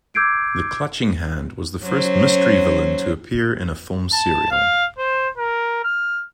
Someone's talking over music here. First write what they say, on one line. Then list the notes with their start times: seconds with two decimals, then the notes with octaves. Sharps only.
The Clutching Hand was the first mystery villain to appear in a film serial.
0.15 D6 E6 G6 G#6 C7 D7
1.84 F#3 C#4 C5
4.13 A5
4.51 F5
4.98 C5
5.38 A#4
5.84 F6